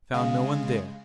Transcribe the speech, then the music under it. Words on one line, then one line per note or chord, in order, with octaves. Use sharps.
I found no one there.
C#3 G#3 F5